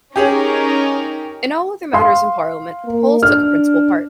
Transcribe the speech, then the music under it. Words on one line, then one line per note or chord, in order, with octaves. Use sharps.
In all other matters in Parliament Holles took a principal part.
C#4 D#4 G4 G#4 A#4 C#5
F5 C6
A#3
D4 F6